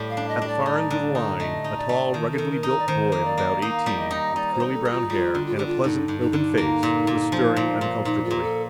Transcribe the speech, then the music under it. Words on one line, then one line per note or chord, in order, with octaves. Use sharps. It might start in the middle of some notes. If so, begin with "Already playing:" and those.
At the far end of the line, a tall, ruggedly built boy of about eighteen, with curly brown hair and a pleasant, open face, was stirring uncomfortably.
Already playing: A2 G3
F5
D4
D#5
D4
D5
D#4 D5
D3
D#4
A3 D#5
D#4
D5
A3
D#3
A4
D#3
A#4
D#4
A#4
D5
D#3 C5
A#3
D5
A#3
D#4 F5
G3
D#5
D#4
D#4 D5
C5
D#4
A4
D#4
F4
G3 F4
D3
F4
D3 G4
F4
G2 D#4
G2
D#4
D3
A#3
A#2
A#2
F3
A#2
A#2
A#2 D#4
F4
A#2
A4